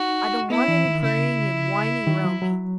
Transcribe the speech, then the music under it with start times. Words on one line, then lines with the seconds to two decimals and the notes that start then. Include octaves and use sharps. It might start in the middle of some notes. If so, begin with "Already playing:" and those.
I don't want any praying and whining round me.
Already playing: D#4 F#4
0.50 B3 E4
0.68 E3
0.85 D#3
1.03 C#3 E4
2.07 D#3
2.24 F#3
2.42 F#3